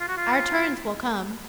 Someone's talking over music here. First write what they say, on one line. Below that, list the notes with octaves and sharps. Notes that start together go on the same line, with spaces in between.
Our turns will come.
F4
F#4
F4